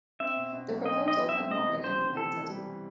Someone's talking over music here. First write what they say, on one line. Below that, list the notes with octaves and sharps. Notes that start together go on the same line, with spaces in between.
The proposal had not been implemented.
C4 E5
B2
B2
B1
C4 D#5
C4
D#5
B2
E5
C4
C3 D#5
E3
C3 C5
C3
E3 A4
E3
G3
E3